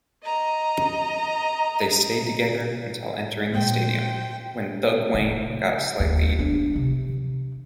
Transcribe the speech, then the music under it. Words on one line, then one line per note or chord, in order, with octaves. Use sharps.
They stayed together until entering the stadium, when Thugwane got a slight lead.
D#5 A#5
A#2 G#3 A#3 C5 G5
C#3
D#2
B3 D4
C3